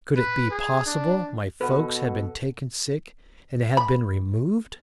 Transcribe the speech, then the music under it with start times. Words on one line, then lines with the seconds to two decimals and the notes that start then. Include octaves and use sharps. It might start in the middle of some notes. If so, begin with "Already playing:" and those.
Could it be possible my folks had been taken sick and had been removed?
0.16 B4
0.51 G#4
0.86 D4
1.61 B2 A4 B4 F#5
3.77 B5